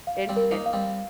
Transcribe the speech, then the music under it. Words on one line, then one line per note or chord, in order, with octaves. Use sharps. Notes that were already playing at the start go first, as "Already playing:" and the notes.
And an
F5
G3 C4
A#4
A#3 D#4
F5
G3 C4